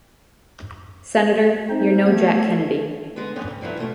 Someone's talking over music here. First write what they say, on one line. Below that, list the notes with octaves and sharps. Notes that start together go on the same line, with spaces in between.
Senator, you're no Jack Kennedy.
C4 D#4 C5
A3 B3 G#6
D3 G#3 B3
F2 G#2 B3 C#4
C#3
G2 F3 F#3 E4 B4
B2 A3 E4 F4